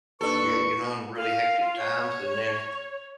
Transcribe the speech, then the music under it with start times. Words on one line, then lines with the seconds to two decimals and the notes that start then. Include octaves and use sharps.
y you know, in really hectic times, and then
0.21 D#2 D4 A4 B4 C#6
1.15 F5
1.61 F4
1.77 C#5